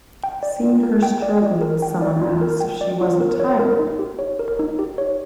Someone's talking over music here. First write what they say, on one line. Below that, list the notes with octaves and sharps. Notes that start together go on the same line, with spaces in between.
Seeing her struggling, someone asked if she wasn't tired.
G5
D5
F4
A#4
G5
D5
F4
A#4
G5
D5
F4
A#4
G5
D5
F4
A#4
C#5
A#4
D#4
G4
C#5
A#4
D#4
G4
C#5